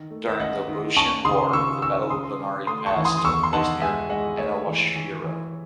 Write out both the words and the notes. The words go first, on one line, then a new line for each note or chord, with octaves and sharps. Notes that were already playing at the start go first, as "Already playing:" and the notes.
During the Boshin War, the Battle of Bonari Pass took place near Inawashiro.
Already playing: D#3
A3
E5
C#4 D#5 F#5
D#3
C#4 A5 C#6
C#3 C6 D#6
C#3 C#6 E6
C#4 C#6 E6
C#3 C6 D#6
C#4
A3 C6 D#6
A5 C#6
E3
C6 D#6
D#6
E2 C#6 E6
C6
D#4 F#5 A5
G#3 E5 G#5
G#3 D#5 F#5
A3 C#5 E5
E3
E3
E3